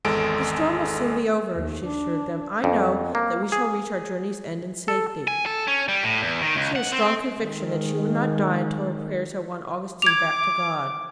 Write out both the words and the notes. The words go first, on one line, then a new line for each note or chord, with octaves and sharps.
"The storm will soon be over," she assured them; "I know that we shall reach our journey's end in safety." She had a strong conviction that she would not die until her prayers had won Augustine back to God.
G#1 E2 G#3 A4 D7
D#2
D4
F2
A#3
G#4
A4
G#5
A4
C#4
G3
A2
E2
D#3
C#2
F#5
C4
D#3 G#3
D6 G#6 F7